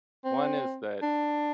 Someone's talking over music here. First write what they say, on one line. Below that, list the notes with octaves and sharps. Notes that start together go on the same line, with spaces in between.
one is that,
C4
D4